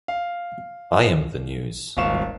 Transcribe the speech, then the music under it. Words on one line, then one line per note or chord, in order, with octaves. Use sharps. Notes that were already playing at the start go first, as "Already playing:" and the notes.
I am the news.
F5
D#1 G#1 F5 C#6 E7